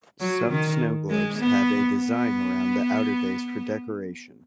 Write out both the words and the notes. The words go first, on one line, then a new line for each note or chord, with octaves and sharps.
Some snow globes have a design around the outerbase for decoration.
F#3
D#3
G#3
B3
B3